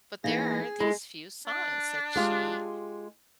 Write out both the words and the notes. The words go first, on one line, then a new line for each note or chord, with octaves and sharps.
but there are these few songs that she
E3 A#3 B3 D#4 G#4 A#6
G#3 E4 A4 G#5
D4
G#3 F4 G4